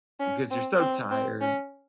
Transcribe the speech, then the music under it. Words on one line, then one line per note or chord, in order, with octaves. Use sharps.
because you're so tired.
C#4
C4
C4
C4
C#4